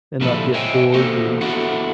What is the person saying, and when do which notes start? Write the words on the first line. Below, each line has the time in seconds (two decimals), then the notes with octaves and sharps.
And not get bored or
0.21 A#2 D3 F3 G3 E4 A4
0.54 C5 C#5 D#5 E5 G5 G#5
0.94 A#3 F#4 G4 A4 C5
1.41 B3 D4 E4 F#4 A4 F#5